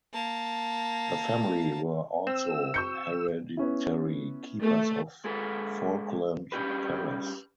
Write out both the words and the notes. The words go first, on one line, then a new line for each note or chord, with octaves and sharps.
The family were also hereditary keepers of Falkland Palace.
A#3 A5
C4 E6
C#6 G6 C#7
B3 C#4 E4
A3
G#3 A4 B4
G3 C#4 G4 B4